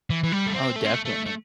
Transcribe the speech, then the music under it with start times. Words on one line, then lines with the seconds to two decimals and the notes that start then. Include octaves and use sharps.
Oh, definitely.
0.10 E3
0.23 E3
0.32 G3
0.47 A3
0.54 C4
0.76 A3
0.85 C4
0.94 A3
1.05 A3
1.26 A3